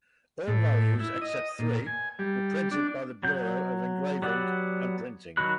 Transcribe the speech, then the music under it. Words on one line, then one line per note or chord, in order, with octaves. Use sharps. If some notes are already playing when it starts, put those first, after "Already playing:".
All values except three were printed by the Bureau of Engraving and Printing.
A2
E4
D#5
A#2
G#5
G3
D4
F#3 G6
F#3 B3 G4 D5 F#5
D#3 F#3 F#4 B5 F#6